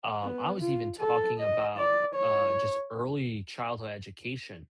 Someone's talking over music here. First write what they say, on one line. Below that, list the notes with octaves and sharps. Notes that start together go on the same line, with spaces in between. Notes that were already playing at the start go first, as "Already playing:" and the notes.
um, I was even talking about, uh, just early childhood education,
B3
F4
A4
D#5
D5
C#5